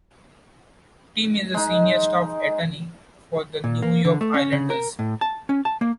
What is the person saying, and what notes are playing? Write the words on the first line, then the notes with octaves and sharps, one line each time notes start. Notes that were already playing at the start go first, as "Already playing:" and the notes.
Tim is a senior staff attorney for the New York Islanders.
G#3 D#4
A#2
A#3
D3
A3
C#4
C#3
A#4
A2
A5
C#4
A5
A#3